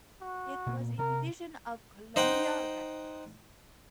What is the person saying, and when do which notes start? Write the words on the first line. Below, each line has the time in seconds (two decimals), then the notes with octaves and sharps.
It was a division of Columbia Records.
0.21 F#4
0.66 A#2 A#3 B3
0.99 C3 A#4
2.16 D#4 C5 F#5 G5